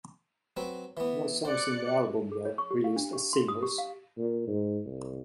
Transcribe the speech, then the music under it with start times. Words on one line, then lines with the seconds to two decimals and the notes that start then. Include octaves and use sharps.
No songs in the album were released as singles.
0.57 F#3 C4 B4
0.97 E3 B3
1.45 C5 D5 F#6 C#7
2.32 G#4
2.45 C#5
2.58 C#6
2.71 G4
2.84 F5
2.96 D4
3.13 G4
3.33 C6
3.48 D#6
3.63 G4
3.78 F5
4.18 A#2
4.48 G#2
4.86 C2